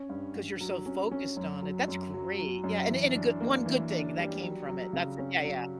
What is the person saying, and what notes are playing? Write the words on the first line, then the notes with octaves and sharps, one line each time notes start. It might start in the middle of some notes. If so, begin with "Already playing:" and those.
'Cause you're so focused on it, that's great. Yeah, an and a good one good thing that came from it, that's it yeah, yeah.
Already playing: C#4
G2
G2
F#3
C#4
C#4
F#2
F#3
F#2
F#3
F#3
F#2
E3
D4
A#3
E3
D4
G3
F#3
F#3
C#3
C#4
F#3